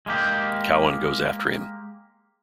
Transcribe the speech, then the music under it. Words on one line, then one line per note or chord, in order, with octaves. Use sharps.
Cowan goes after him.
G#3 A#3 G4